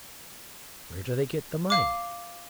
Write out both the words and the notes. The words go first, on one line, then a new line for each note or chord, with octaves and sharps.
"Where do they get the money?"
F5 D6